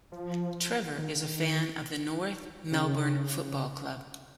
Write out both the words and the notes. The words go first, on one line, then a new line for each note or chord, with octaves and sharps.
Trevor is a fan of the North Melbourne Football Club.
F3
D#3
C#3